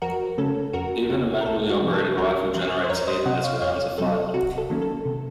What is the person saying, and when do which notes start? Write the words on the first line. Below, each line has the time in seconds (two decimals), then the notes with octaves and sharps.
Even a manually operated rifle generates heat as rounds are fired.
0.02 F2 F#4 A#4
0.38 C#3 A3 C#4 A4
0.73 F2 F#4 A#4
1.09 C#3 A3 C#4 F#4
1.41 A#4
1.46 C2 A4
1.70 F#4
1.81 C3 F3 C4
1.94 A4
2.18 C2 F#4 A#4
2.54 C3 F3 C4
2.84 C5
2.89 F2 A#4 C#5
3.07 C5 D#5
3.26 C3 F#3 C4 D#5 F#5
3.44 C#5 F5
3.62 F2 C#5 F5
3.98 C3 F#3 C4 A4
4.34 C3 F#4
4.58 A4
4.70 D#3 F#3 A#3 C#4
4.82 A4
5.05 C3